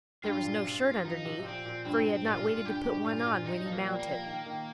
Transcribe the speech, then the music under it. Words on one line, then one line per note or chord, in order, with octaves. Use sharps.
There was no shirt underneath, for he had not waited to put one on when he mounted.
G2 F4
A#2
C3
C3
F3 D#4
C3
C3
A#2 C4
A#2
G2 C4
A#2 F4
C3
A#2
G2 G4
G2
A#2 F4
A#2
A#2 D#4
F3
A#3
G3
A#3
F3
D#3
D#3